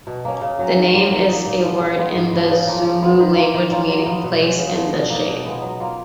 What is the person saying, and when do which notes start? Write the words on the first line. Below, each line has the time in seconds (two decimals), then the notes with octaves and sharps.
The name is a word in the Zulu language meaning place in the shade.
0.07 B2
0.25 A#3 C#4
0.41 C#3
0.59 F#3 C#4 F#4
0.76 D#3
0.94 F#3 A#3 F4
1.11 D#3
1.28 A#3 D#4
1.46 A#2
1.63 F3 B3
1.80 C#3
1.98 G#3 B3 F4
2.15 G#2
2.33 F3 B3 F#4
2.50 C#3
2.67 F3 A#3 F4
2.84 F3
3.02 B3 F4
3.20 D#3
3.36 A#3 F4
3.54 D#3
3.71 A#3 C#4 F4
3.89 F#3
4.06 B3 F4
4.24 B2
4.41 G#3 C#4 F#4
4.58 C#3
4.75 F3 B3
4.93 B2
5.10 A#3 D#4
5.28 B2
5.45 G#3 B3 F4
5.62 F#3
5.80 A#3 F4